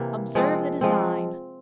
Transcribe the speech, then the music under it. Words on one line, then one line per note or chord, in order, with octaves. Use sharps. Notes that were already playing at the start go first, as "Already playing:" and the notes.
Observe the design!
Already playing: C3 E3 A#3
F3 G#3 C4
F3 G#3 C4